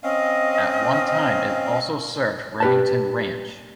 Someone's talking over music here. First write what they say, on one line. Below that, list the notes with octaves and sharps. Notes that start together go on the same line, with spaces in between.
At one time it also served Remington Ranch.
C4 C#4 D#5 F5
G4 B4 A5